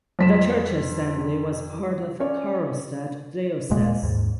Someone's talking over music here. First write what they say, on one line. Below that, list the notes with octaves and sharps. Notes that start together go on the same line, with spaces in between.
The church assembly was part of Karlstad Diocese.
F2 F3 F#3 B6 E7
C#4 C#5 D5
D#1 A#2 G#3 A#3
D#2 G#2